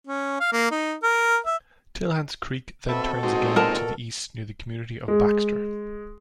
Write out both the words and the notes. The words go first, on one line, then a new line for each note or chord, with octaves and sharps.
Tilhance Creek then turns again to the east near the community of Baxter.
C#4
F5
A#3
D#4
A#4
E5
B2 C4 A4 B4 E5
G#3 C4 D#4 F#4
A#2 A#4 A5
G#3